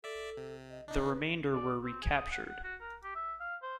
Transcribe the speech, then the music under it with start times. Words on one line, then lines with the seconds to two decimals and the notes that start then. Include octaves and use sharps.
The remainder were recaptured.
0.04 A4 D5 E5
0.37 C3
0.70 D#5
0.88 D4 D#4 D#5
1.06 B4
1.54 D5
1.83 C4
2.02 G#4
2.17 D#6
2.32 F#5
2.48 F#5
2.64 F#4
2.81 A#4
3.04 G4
3.16 E5
3.41 F5
3.63 C5